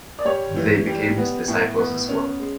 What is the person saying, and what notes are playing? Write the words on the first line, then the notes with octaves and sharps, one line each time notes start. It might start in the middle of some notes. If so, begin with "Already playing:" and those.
They became his disciples as well.
D5
G3 C#5
E3
G3
B3
A2
B3
C#4
G#3